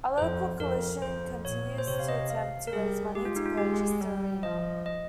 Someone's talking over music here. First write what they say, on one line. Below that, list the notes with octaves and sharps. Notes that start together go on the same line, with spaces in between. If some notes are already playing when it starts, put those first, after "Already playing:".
A local coalition continues to attempt to raise money to purchase the arena.
F2 C5
F2 A#4
F2 C5
A#2 C#5
C5
C3 C#5
F5
D#5
F5
A#4
G3 G#4
G#3 G4
F4
D#4
F4
G#3 G4
G3
F3 D#5
D#5